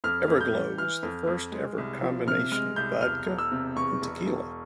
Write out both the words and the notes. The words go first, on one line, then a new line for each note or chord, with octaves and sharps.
Everglo is the first ever combination of vodka and tequila.
F2 F6
F2
G6
G3
E3 F6
F2
F2
G#3
C2
F3
C3 F6
G#3 F6
C2 G6
E1 F6
E1
E6
C3
E2 C#6
E1
E1